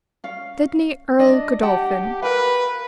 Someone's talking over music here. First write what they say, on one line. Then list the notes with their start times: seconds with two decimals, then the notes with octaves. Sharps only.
"Sidney Earl Godolphin."
0.24 C#4 F5
1.19 D4 D#5
1.63 G4 F#5 G5 A5
2.22 A#4 B4 F5